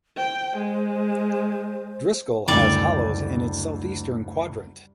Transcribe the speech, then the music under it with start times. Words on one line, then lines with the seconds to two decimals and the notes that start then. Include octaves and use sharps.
Driscoll has hollows in its southeastern quadrant.
0.17 C5 G5
0.58 G#3
2.48 F#1 D2 G3 D5